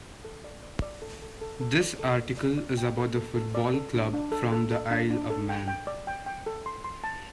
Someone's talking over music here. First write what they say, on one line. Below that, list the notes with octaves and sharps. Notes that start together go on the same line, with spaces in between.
This article is about the football club from the Isle of Man.
A4
D5
D5
D5
A4
A4
A4
A4
D5
A4
D5
D5
D5
G5
A4
A4
A4
D5
A4
D4
D4
A4
A4
A4
D4
D4
A4
G5
G5
D5
G5
G5
A4
C6
C6
A5